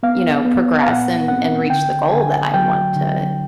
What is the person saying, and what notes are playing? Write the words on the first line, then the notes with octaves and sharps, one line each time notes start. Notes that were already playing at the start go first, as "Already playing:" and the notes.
you know, "progress and and reach the goal that I want to
B3 F5
B3
F5
A#2 F#5
C4 F#5
D3 G5
D3 G#5
F#3 G5
D3